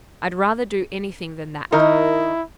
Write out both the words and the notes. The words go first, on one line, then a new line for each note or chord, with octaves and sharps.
'I'd rather do anything than that.'
D#3 D#4 E4 A#4